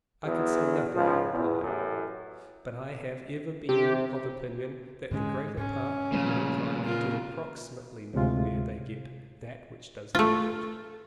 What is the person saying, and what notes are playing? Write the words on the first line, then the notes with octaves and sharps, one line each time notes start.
I could say nothing in reply, but I have ever been of opinion that the greater part of mankind do approximately know where they get that which does them good.
E2 F#3 G#4
C#2 F3
E2
A1 F#2 A2
C3 G4
G#2 D3 G#3 C#4
G#2 C#4
A#2 C#3 F3 G3 A3
F4 A#4
D2 C3 G#3 F4
A3 F4